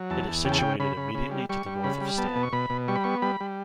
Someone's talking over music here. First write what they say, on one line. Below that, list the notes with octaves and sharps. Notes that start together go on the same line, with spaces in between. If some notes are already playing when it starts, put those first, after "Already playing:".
It is situated immediately to the north of Stanley.
Already playing: F#3
E2 A5
E2
C#3 G5
A5
C#3 G5
C#3 B5
C#3
C#3
G3
G3 C#6
G3
C#3 B5
G3
B3 A5
B2
C#6
B2 B5
B2
G3 C#6
B5
B3 C#6
G3 B5
G3